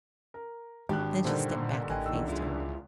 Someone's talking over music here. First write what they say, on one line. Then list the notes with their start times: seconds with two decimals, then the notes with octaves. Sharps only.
Then she stepped back and faced him.
0.34 A#4
0.89 G#1 G#2 D4 G4 F#6
1.25 G2 A#2 D3 D#3 C5
1.90 A1 D#5 G5 G#5 F#6
2.06 A#1 E2 E6
2.28 C#2 E4 F4 G#4